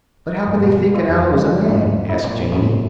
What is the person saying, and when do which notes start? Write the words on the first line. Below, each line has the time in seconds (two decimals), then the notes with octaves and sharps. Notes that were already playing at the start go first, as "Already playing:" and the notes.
"But how could they think an owl was a man?" asked Janey.
0.47 G2
0.63 B2
0.94 F4
1.09 F2
1.33 G#3
1.69 G#2
2.09 E4
2.24 A#2
2.52 A2